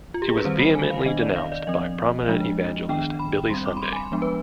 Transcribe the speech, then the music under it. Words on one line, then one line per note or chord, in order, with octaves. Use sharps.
It was vehemently denounced by prominent evangelist Billy Sunday.
F4
G4
G#4
B4
D#3 G3 C4 C5
B5
G#5
F5
D#3 B3 D4 D#5
D5
F5
D5
F3 C4 D#5
F3 G#3 D4
D#3 B3 D4 G5
B5
G3 C4 C6
D6
B5
C6
G#5
B5
F3 G#3 B3 D4
B4